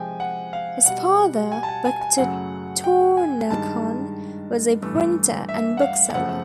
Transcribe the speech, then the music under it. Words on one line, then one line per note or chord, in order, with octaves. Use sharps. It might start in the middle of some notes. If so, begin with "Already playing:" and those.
His father, Victor Tournachon, was a printer and bookseller.
Already playing: C3 F3 G#3 G5 G#5
F#5
F5
B2 G3 F#5
G#5
A5
G#5
G#5
G#5
F#2 C#3 F#3 A3 F#5
G5
G#5
G2 D#3 G#3 A5
G2 E3 A3
E5
F#5
F5
F#2 C#3 F3 A3 F#5